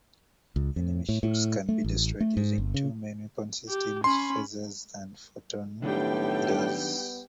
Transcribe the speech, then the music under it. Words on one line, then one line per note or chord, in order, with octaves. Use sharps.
Enemy ships can be destroyed using two main weapons systems: phasers and photon torpedoes.
C#2
F2
A2
A2
A3
A1
A3
G#2
G1
C#3
G4
C#4 B5 C6
A2 D#3 F#3 G3 B3 D4 G5